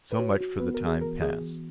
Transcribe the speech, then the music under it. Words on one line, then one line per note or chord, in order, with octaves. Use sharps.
So much for the time past.
B4
F#4 C#5
F#4
B3 B4
A#4
E3
G#4
E3 A#4
E3 G#4
E3